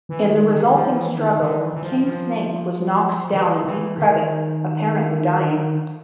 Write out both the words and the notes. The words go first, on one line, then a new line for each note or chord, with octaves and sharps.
In the resulting struggle, King Snake was knocked down a deep crevice, apparently dying.
E3
D#3
D#3
F3
E3
D#3
D#3
E3
E3
F3
F3
E3
E3
D#3